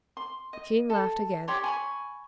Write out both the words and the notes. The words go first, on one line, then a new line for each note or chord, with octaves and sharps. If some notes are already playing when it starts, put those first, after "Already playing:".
The king laughed again.
C6
D#5
A4
G4 C#5 D5 C6
G#5 B5 C#6